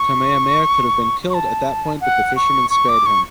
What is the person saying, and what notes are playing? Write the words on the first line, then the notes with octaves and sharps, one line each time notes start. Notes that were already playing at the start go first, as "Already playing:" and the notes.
Kamehameha could have been killed at that point but the fisherman spared him.
Already playing: C#6
C#6
A5
F#5
C#6
C#6
D6
C#6